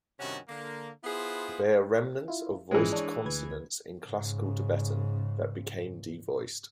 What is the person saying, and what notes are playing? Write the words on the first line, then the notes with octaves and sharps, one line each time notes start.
They are remnants of voiced consonants in Classical Tibetan that became devoiced.
G2 C3 D#3 C#4 F#4
D3 A#3
B3 E4 F4 G#4 B4 C5
E4 F4
G#1 E3 F3 G#3 C#4
D4 C#5
D2 B4 G#6
G#2 C#3